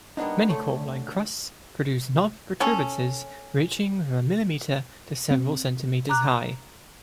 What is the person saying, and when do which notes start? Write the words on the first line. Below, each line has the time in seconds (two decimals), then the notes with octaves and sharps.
Many coralline crusts produce knobby protuberances ranging from a millimetre to several centimetres high.
0.17 G3 A#3 B3 D4 D#4
0.49 D2 A3 C#5
2.60 C#4 A4
5.31 C4
6.09 A#5 D6 F#6